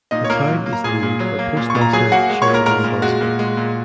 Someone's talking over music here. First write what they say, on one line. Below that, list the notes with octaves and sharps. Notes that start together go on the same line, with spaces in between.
The town is named for postmaster Sheridan Busby.
A#2 D#4 D#5
C#5
A#2 A#3 A#4
F#3
A#3
A#5
A#2 G#4 G#5
A#2
F#3
A#3
A#2
A#2 C#6
A#5
F#3 G#4 G#5
A#3 F#4 F#5
G#3
C#5 C#6
A#2
A#4 A#5
G#3 A#4 A#5
A#2
G#3 F#4
A#2
G#3
A#2